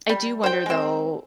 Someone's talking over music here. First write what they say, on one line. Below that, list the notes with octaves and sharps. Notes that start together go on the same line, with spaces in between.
I do wonder though
G3
C5 G5
G#3 C4